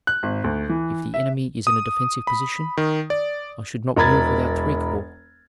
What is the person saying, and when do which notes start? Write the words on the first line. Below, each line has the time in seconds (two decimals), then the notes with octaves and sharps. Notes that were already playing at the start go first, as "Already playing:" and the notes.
If the enemy is in a defensive position, I should not move without three corps.
0.07 F#6
0.23 G#1
0.44 D2
0.69 E3
1.14 E5
1.67 D#6
2.27 B5
2.77 D#3
3.10 D5
3.97 E1 A#4 A#5 B5 G#6 A6